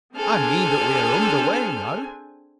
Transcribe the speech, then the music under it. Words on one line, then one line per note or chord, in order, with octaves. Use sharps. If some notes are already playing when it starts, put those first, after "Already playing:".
"I mean that we're under way now."
C4 D4 G#4 A4 G#5 F6